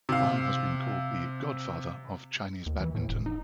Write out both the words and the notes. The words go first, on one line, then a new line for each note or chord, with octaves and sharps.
Wang has been called the "Godfather" of Chinese badminton.
C3 F5
D#2
E3
A2
F1
D#4